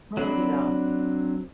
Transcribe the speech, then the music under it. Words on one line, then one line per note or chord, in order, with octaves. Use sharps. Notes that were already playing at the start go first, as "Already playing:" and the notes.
Where would you go?
F#3 C4 D4 B5